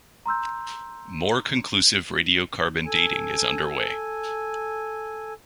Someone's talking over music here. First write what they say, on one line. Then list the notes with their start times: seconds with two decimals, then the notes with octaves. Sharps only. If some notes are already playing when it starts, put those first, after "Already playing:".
More conclusive radiocarbon dating is under way.
0.26 A#5 C6 E6 G6
2.86 A4 G#5